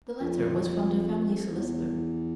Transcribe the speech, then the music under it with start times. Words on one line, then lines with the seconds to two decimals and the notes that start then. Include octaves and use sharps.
The letter was from the family solicitor.
0.21 F2
1.50 E2